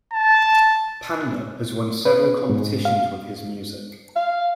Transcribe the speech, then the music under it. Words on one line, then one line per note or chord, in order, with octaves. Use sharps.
Panda has won several competitions with his music.
A5
B4
G#2
F5
F5